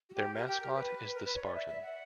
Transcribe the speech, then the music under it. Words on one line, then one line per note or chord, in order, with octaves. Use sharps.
Their mascot is the Spartan.
F#4
G4
A#4
G4
A#4
B4
A#4
B4
C#5
D5
E5
E5
F#5